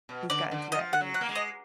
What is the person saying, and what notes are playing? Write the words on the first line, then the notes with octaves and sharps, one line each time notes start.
He's gotten to that age.
B2
D3 D5
D3
F3 D#5
F#5
F#3
F#5
A#3
G#3
D#5